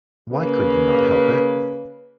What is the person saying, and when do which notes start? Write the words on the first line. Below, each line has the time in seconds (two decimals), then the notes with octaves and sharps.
Why could you not help it?
0.32 C#3 A#3 B4